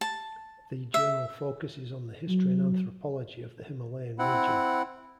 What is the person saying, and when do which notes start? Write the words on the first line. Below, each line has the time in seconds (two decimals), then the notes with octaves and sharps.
The journal focuses on the history and anthropology of the Himalayan region.
0.01 A5
0.94 E5
2.29 F#3
4.19 C4 E4 F#5